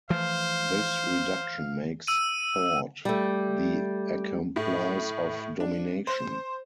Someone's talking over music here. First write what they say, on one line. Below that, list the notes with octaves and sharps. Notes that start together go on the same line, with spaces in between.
This reduction makes thought the accomplice of domination.
E3 F3 A3 C5 F5
E6 D#7
G3 A3
A2
D4
C5